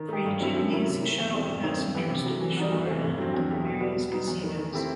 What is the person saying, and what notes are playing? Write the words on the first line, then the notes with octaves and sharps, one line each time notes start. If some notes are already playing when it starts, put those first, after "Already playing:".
Free jitneys shuttle passengers to the shore and the various casinos.
Already playing: D#3
A3 D#4 G4
G2
F#3 C4 E4
F#2
D#3 F#3 A3 E4
C3
D#3 A3
E2
B2 G3 C4 E4
G2
D#3 A3 C4 D#4
G2
E3 B3 E4 G4
C3
F#3 A3
E3
G3 D#4 F#4
E2
C3 E3 A3
G2
F#3 C4
E2
B2 A3 E4 G4
B2
G3 B3 F#4
B2
F#3 B3 D#4
E2
D#3 A3
D#3
A3 C4 E4 G4